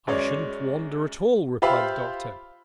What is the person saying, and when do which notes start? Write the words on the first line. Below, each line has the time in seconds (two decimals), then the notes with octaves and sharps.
'I shouldn't wonder at all,' replied the doctor.
0.07 F#2 G#3 C#5 D5
1.62 F4 G4 C5 E5 F5 B5